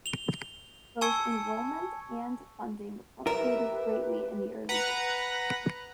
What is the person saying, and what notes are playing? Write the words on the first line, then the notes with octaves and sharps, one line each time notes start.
Both enrollment and funding fluctuated greatly in the early years.
F7 G7
G#5 A5 C#6 E6 G#6 C#7
G4 A#4 B4 E5
B4 F#5 A#5